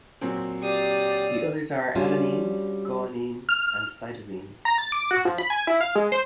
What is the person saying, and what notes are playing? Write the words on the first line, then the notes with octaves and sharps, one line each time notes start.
The others are adenine, guanine, and cytosine.
A#2 F#3 C4
G4 D5 F5 D#6
G3 C#4 D4 F4 F#4
F6
A#5
A6
D6
F#4
F3
B5
G#5
E4
F5
G#3
C5